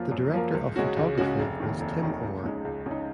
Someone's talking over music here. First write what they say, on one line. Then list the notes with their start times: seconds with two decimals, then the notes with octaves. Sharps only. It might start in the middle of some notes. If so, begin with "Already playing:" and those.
The director of photography was Tim Orr.
Already playing: F#2 F3 A#3 F4 A#4
0.11 F#2
0.33 F3 A#3 F4 A#4
0.54 C#2
0.76 C#3 G#3 C#4 F#4
0.96 C#2
1.17 C#3 G#3 C#4 F#4
1.39 F1
1.60 D#2 D#3
1.80 F1
2.02 D#2 D#3
2.23 C#2
2.44 C#3 G#3 D#4
2.65 C#2
2.86 C#3 G#3 D#4